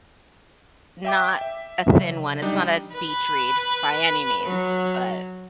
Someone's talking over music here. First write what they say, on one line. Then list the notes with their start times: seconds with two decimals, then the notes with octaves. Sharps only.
not a thin one, it's not a beach read f by any means, but
1.05 E5 G5 D6
1.41 E5
1.89 C#3 F#3
2.42 G3 D4 D#4
2.93 B4
4.43 F#3